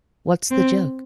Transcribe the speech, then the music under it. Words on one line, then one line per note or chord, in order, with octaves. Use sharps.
What's the joke?
C4